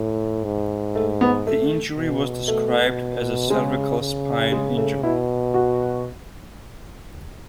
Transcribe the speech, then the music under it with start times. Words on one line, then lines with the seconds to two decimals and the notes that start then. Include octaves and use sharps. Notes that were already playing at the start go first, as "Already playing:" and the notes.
The injury was described as a cervical spine injury.
Already playing: A2
0.44 G#2
0.95 A3
1.21 B3
1.47 A3
1.97 B2
2.48 A3
3.50 C#3 G#3
4.01 C#3
4.52 G#3
4.78 A3
5.03 B2 E4
5.54 F#4